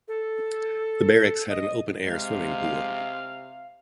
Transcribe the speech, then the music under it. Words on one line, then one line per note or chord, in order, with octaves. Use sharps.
The barracks had an open-air swimming pool.
A4
D#5
C3 G#3 F5